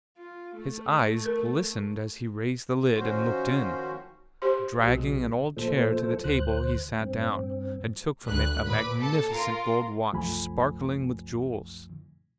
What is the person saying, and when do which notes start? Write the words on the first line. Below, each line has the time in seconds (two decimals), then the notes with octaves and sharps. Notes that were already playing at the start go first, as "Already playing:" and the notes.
His eyes glistened as he raised the lid, and looked in. Dragging an old chair to the table, he sat down; and took from it a magnificent gold watch, sparkling with jewels.
0.17 F4
0.56 A3
1.26 A#4
2.95 D#3 F3 C#4 F#4 C5
4.42 G4 C5 C6
4.82 B1 G#3 F#4
5.57 A#2 F3 A3 A4 C5
6.24 D2 C5 F#6
7.01 G2 C4
8.25 D2 B4 F#6
8.66 A#2 B4 B5 D6
9.00 A4 A5
9.30 F4 A#4
10.12 C2 F#2 F3 A3 G#5 B5